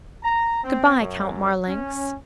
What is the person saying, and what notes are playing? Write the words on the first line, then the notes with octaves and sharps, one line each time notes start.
"Good-bye, Count Marlanx."
A#5
C4
F#2
C#4